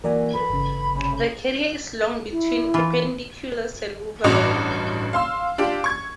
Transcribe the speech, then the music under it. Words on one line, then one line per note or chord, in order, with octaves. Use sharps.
The carrier is long between perpendiculars, and overall.
E3 A#3 F#4 A#4 D5 G#5
A4 B4 B5
G1 C#3
C3 C#4
E4
E3 F4
A1 G2 F#4 D#5 D6 F7
F5 C6 E6
D4 F4 G4
C#6 G#6